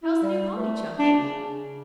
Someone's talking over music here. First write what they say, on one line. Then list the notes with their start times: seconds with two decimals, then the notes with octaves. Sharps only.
How's the new pony, Chunky?
0.03 E4
0.23 G3
0.54 A3
0.99 D4
1.18 C#3